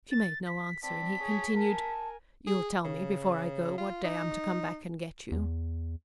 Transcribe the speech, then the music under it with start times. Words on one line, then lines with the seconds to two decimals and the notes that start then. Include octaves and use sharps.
She made no answer, and he continued: "You'll tell me before I go what day I'm to come back and get you?"
0.11 A6
0.46 B6
0.83 C4 D5 A5 B6
1.20 G#4 C#5
1.55 A#4 G#5 A5
2.47 G#4
2.85 C#3
3.78 F4
4.04 D#4
5.32 E2